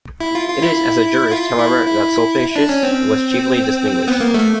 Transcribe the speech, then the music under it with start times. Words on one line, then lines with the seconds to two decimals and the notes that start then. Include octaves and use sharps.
It is as a jurist, however, that Sulpicius was chiefly distinguished.
0.20 E4
0.35 F4
0.49 F4
0.62 E4
1.31 F4
1.59 E4
1.87 E4
2.56 D4
2.69 C#4
2.83 C4
4.08 B3
4.21 A#3
4.34 A3